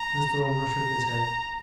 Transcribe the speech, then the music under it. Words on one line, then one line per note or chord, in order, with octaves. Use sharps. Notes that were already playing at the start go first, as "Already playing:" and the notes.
Mr. Omer shook his head.
Already playing: A#5
A#5